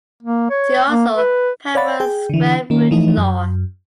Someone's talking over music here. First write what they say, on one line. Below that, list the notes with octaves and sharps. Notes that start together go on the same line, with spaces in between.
See also Penrose square root law.
A#3
C#5
A#3
B4
C#5 D5 F5 F#5 B5 A6
G#4 G5
D3 E3
D#3 A#3 C#4
E3 F3 A3 D#4
F#2